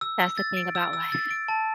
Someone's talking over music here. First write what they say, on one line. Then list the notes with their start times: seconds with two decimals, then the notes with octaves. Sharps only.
That's the thing about life.
0.01 E6
0.20 E6
0.38 A6
0.57 D7
0.75 E6
0.93 E6
1.12 A6
1.31 D7
1.48 A5